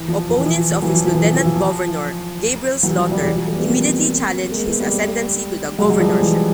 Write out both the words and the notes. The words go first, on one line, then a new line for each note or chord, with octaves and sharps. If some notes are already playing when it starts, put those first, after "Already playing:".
Opponents of his lieutenant governor, Gabriel Slaughter, immediately challenged his ascendancy to the governorship.
Already playing: E3
F3
F3
E3
F3
F3
E3 F#3
F3
F3
E3
F3
E3
F3
F3
E3 F#3
F3 G3
F3 G3
E3 F#3
F3 G3
G3 A3
A3 B3
A#3 C4
G#3 A#3
A3 B3
G3 A3
F#3 G#3
F#3
F3 G3
E3 F#3